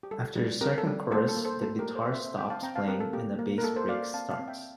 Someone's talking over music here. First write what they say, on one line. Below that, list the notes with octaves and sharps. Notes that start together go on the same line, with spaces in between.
After the second chorus the guitar stops playing and a bass break starts.
G4
G3 A4
G3
C4 G4 A#4
A4
G3
A#3 A4 C5
A4
A#3
A4 C5
A#3 A4
G4 A#4
A#3
A4 C5
C4 C5 E5
C5 E5
C4 E5 G5
F5 A5
C4 G5 A#5
F5 A5
C4 G4 A#4
A4
A#3 G4
A#3
A#4
A#3 A4
A4 C5
A#3 D5 F5
C4 F5 A5
F5 A5
C4
E5 G5